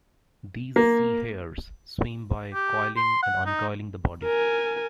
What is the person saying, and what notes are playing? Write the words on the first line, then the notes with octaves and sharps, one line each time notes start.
These sea hares swim by coiling and uncoiling the body.
A#3
G4
C6
F#5
D#4
A#4 G#5